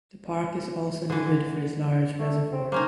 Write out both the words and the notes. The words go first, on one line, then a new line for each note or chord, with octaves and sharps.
The park is also noted for its large reservoirs.
D3 E3
A3
C4
A#3 C#4 D#4 C5